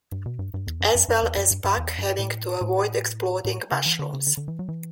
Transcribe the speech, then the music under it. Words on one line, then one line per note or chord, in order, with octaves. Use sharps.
As well as Buck having to avoid exploding mushrooms.
G2
B2
G2
G2
E2
F#2
F#2
F#2
E2
F#2
G2
G2
E2
G2
A2
A2
A2
C#3
E3
D3
C#3
D3
D3
E3
F#3
E3